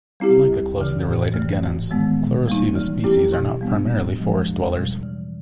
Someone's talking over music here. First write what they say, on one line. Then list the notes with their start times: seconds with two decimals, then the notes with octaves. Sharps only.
Unlike the closely related guenons, "Chlorocebus" species are not primarily forest dwellers.
0.20 G3 C4 E4 G4
0.48 D2
0.77 C#3 E3
1.06 A2
1.34 E3 A3
1.63 G#2
1.91 D#3 G#3 B3
2.19 A#2
2.47 G3 A#3 D#4
2.76 E3
3.04 A3 C4 E4 G4
3.33 B2
3.61 G3 B3 D4
3.90 A2
4.18 F3 G#3
4.46 E2
4.74 B2 G3
5.03 E3